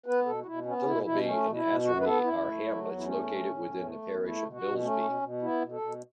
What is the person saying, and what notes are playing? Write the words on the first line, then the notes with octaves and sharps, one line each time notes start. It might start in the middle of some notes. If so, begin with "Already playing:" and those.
Thurlby and Asserby are hamlets located within the parish of Bilsby.
B3 B4
B2 A4
F#4
B2 E4
B3 C#4
C#4
B2 E4
B2 E4
A3 C#4
B2
E4
B2
F#2 F#4
B4
B3 A4
F#2 E4
A3
F#3
E2
E4
A3 C#4
A2
A2
E2
A3
E2
A3 E4
B2
F#4
B2
A3 C#4
B2
B2
B3 E4
B2
A4
B2